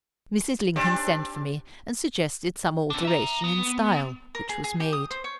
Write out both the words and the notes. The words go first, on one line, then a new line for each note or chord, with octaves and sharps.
Mrs. Lincoln sent for me, and suggested some alteration in style, which was made.
C4 D4 G4
C4 D4
E5 A#5
B3
A#4
G#4
G#4
G4
D#6
C5
C#5